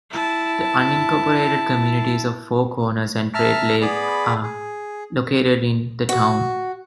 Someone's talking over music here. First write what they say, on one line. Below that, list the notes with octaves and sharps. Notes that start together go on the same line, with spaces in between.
The unincorporated communities of Four Corners and Trade Lake are located in the town.
E4 A5
E5 A5 A#5 F6
B3 G#4 D5 B5
G#4
F#4